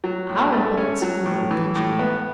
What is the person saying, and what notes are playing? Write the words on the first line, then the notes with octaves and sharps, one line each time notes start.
"Our boat?" murmured the engineer.
F#3
A2
A3
C#4
F#3
A2
E3
A2
B3